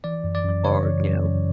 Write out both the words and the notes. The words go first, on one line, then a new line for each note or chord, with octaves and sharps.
or, you know
E3 D5
F#2
D5
F#2
C#3 C#5
E3
F#2
F#2